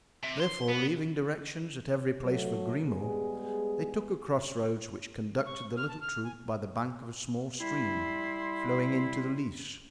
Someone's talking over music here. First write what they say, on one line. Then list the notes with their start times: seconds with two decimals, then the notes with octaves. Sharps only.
Therefore, leaving directions at every place for Grimaud, they took a crossroad which conducted the little troop by the bank of a small stream flowing into the Lys.
0.24 C3
0.40 C6
0.68 B3
2.24 F#3 A3
2.84 G3 G#3 B3 G#4
5.46 C#6
5.77 F6
5.88 A5
6.01 F6
6.24 G#5
7.60 G3 E4 C6